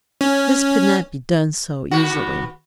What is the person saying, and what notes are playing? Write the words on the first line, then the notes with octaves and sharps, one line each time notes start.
This could not be done so easily.
C#4
D#2 B3 F#4